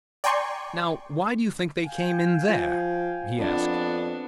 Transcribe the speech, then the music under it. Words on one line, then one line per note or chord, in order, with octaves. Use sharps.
"Now why do you think they came in THERE?" he asked.
D5 G5 G#5 A#5 C6 C#6
F5 G5 G#5
F3
F2 B3 D4